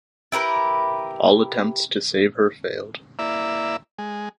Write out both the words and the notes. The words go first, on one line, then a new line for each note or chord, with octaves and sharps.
All attempts to save her failed.
E4 G4 A#4 B4
A#3 E4 D5 E5
G#3